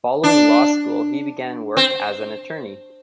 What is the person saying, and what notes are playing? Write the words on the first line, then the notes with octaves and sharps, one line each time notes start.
Following law school he began work as an attorney.
D4
C4